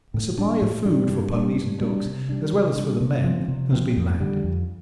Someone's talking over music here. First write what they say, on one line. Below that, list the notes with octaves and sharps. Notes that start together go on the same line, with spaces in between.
A supply of food for ponies and dogs as well as for the men has been landed.
A2
G3 D4
A2
G3 D4
G2
G3 D4
G2
G3 D4
C3
G3 D4
C3
G3 D4
C3
F3 C4
C3
F3 C4
F2
D3 G3
F2